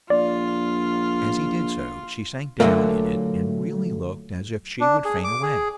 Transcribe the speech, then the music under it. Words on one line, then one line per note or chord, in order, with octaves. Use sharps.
As he did so she sank down in it, and really looked as if she would faint away.
A#1 F4 D5
A#2 D3 D#3 F#3 A3 A#3
D4
G#4
D6
G#4